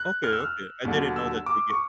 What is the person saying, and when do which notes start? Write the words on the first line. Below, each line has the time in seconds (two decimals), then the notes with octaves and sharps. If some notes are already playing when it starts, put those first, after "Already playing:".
Okay, okay. I didn't know that they get
Already playing: F#6
0.24 F6
0.33 E6
0.40 F6
0.85 D#2 D3 F#3
1.16 E6
1.46 D6
1.70 C#6